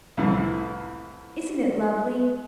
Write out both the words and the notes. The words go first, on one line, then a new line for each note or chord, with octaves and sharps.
Isn't it lovely?
C2 F2 A2 E3